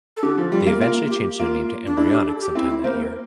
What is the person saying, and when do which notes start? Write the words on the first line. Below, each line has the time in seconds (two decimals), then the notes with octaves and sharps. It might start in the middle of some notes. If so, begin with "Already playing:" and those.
They eventually changed their name to Embryonic sometime that year.
0.17 A4
0.23 D3 G4
0.38 F3
0.52 G3 F4
0.67 A#3
0.81 A#3 F4
1.10 G4
1.39 A#3 F4
1.87 D4
1.97 D4 E4
2.12 G4
2.26 A4
2.41 G4
2.55 C4 E4
2.70 E4
2.84 A#3 C5
2.98 A#4